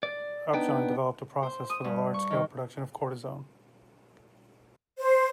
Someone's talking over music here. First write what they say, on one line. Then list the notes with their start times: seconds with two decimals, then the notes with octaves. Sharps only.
Upjohn developed a process for the large scale production of cortisone.
0.03 D5
0.54 B3 D4 D#4 G5
1.43 C5
1.70 D#6
1.85 G2
2.14 C#6
2.30 D#3
4.99 C5